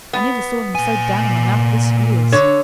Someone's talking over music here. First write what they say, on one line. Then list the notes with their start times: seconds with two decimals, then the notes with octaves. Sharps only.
I never saw him so down in the mouth this years.'
0.13 B3
0.75 A#2 G#5
2.32 D3 C#5